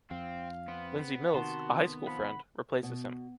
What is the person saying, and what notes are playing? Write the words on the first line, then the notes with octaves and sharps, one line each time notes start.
Lindsey Mills, a high school friend, replaces him.
F2 C4 F5
B3 C4
C3 D#3 F#4 A5 C6
F3 F#5 B5
B2